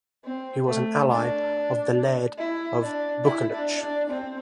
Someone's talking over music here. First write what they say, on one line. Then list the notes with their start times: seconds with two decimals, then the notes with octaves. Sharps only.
He was an ally of the Laird of Buccleuch.
0.25 C4
0.67 A3
1.10 D4
2.39 E4
2.81 D4
3.24 E4
3.52 D4
3.81 D4
4.10 C4